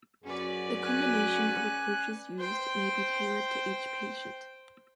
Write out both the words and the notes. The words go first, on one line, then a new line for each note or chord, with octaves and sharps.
The combination of approaches used may be tailored to each patient.
F#2 C#4 F#4 G#4 B4 D5
G#5 F#6
C5 G5